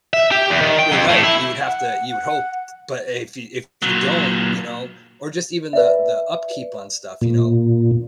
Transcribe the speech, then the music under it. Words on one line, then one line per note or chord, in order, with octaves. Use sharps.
Well, right, you would have to you would hope t but if you if you don't, you know, or just even the the upkeep on stuff, you know,
E5
G4
E2
D#3
G5
F2
A2
E4
F#5
F#5
A#2 F#3
B4 D5 E5
A#2